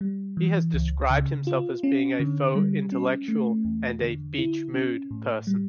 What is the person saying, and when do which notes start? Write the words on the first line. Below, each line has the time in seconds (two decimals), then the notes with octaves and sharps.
He has described himself as being a "faux intellectual" and "beach mood" person.
0.01 G3
0.37 E3
0.74 C#2
1.10 C#3
1.47 F4
1.83 C#4
2.20 D3
2.55 G3
2.92 C#4
3.28 A3
3.65 E2
4.01 D3
4.38 E4
4.74 C#4
5.11 A2
5.47 G3